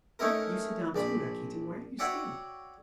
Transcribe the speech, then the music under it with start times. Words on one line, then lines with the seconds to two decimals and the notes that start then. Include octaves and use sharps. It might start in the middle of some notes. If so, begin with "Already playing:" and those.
You sit down, too, Rakitin; why are you standing?
0.19 A3 C#4 D#4 E4 A#4
0.95 A#1 D5 B5
1.99 F#4 C#5 D5 E5 F#5 G5